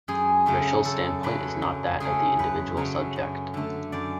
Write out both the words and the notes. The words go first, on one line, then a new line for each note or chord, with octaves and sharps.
Ritschl's standpoint is not that of the individual subject.
F#2 G#4
C#3 F#3 A3
F#2 A4
C#3 F#3 A3 B4
F#2
C#3 F#3 A3 G#4
F#2 B4
C#3 F#3 A3 C#5
F#2
D3 A3
F#2 D5